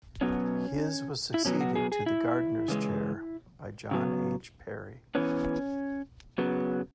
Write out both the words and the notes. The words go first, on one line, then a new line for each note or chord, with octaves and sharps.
His was succeeded to the Gardiner's chair by John H. Parry.
B2 F#3 B3 C#4
E4
B2 F#3 B3 C#4
F#4
G#4
G#4
E4
C#3 E3 G#3
C#3 F#3 B3
E3 B3 C#4
C#3 F#3 B3